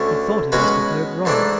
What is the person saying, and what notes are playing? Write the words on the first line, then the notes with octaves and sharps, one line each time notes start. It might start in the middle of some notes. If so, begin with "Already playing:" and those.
He thought he must have heard wrong.
Already playing: D2 D3 A3 C#4
B2 G#3 C#4 F#4 B4
G#2 E3 A3 D4